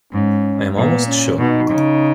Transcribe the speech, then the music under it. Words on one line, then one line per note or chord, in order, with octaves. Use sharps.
I am almost sure.
G#2 C#4
A#2 B3
C#4
B2 D#4
C#3